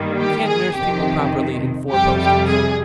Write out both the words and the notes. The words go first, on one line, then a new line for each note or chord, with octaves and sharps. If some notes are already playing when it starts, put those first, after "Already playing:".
You can't nurse people properly in four-posters.
Already playing: G2 D#3 G3 A#3
G4
G#4
F2 C3 D#3 G4
F2 C3 G3 G4
G4
G#4